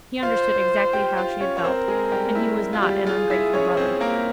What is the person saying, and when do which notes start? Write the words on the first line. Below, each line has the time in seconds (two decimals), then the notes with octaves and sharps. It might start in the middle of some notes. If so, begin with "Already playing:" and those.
He understood exactly how she had felt, and he was not an ungrateful brother.
0.22 F4 C5 F5
0.93 G4 G5
1.17 F4 F5
1.40 C#4 C#5
1.57 C#5
1.64 C4 A#4 C5
1.88 G#3 G#4
2.12 G3 G4
2.35 E4
2.73 F4
2.82 G3 G4
3.06 F4 G#4 F5
3.30 E4 E5
3.53 C#4 C#5
3.77 C4 C5
4.01 A#3 A#4